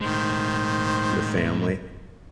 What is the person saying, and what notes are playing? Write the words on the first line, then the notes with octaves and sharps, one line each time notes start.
and the family.
A2 D#3 G#3 C5